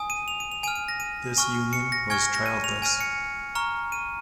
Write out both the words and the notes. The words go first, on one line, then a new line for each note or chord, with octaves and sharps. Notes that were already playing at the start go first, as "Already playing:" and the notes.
This union was childless.
Already playing: G#5 D#6
D#7
F7
D#7
F7
G#5 F6 D#7
D#7
A#6
D#7
G#5 C#6 F6
C#7
A#6
G#5 C#6 F6 G#6
A#6
A#6
D#7
F7
G#5 F6 D#7
C#7
A#5 C#6 F6
D#7